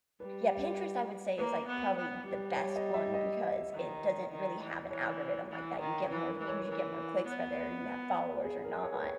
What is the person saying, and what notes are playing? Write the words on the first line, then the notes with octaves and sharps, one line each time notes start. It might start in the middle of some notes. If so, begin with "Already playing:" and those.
Yeah. Pinterest, I would say is, like, probably th the best one, because it doesn't really have an algorithm like that; you get more views, you get more clicks whether you have followers or not,
G3 B4
A#3 B4
B3
B3
G3
C#5
D#5
E5
D#5
D#3
D#3
E3
E3 C#5
E3
D#3
C#5
E3 B4
A#4
E3
C#5
B4
E3 A#4
B3
G#4
A#4
C#5
B4
C#5